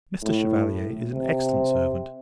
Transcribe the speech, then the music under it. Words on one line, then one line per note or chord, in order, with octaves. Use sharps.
Mr. Chevalier is an excellent servant.
A2
C3